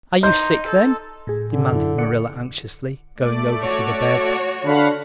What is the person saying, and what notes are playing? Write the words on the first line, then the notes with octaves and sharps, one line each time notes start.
"Are you sick then?" demanded Marilla anxiously, going over to the bed.
D#4 D#5 C6 G6
A4
A2 G#4
D3
F#2 E4
D5 F#5 C#7
A3 D5
F#4 C#5
D3 F5 F#5 B5